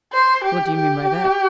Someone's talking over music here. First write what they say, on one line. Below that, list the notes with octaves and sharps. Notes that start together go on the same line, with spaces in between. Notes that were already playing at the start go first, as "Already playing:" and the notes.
"What do you mean by that?"
C5
G4
G4